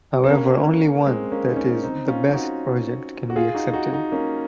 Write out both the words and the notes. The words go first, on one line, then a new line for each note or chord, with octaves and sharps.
However, only one, that is, the best, project can be accepted.
C4
A#3 C#4
G#3 C4
A#3 C#4
D#4
A#3 C#4
C4 D#4
C#4 F4
D#4 F#4
F#4
F4 G#4
D#4 F#4
D#4 F#4
D#4 F#4
A#3 C#4